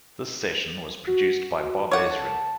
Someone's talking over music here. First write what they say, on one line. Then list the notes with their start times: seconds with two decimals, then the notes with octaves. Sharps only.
This session was produced by Bob Ezrin.
1.07 F#4
1.91 C#5 F#5 D6
2.11 A5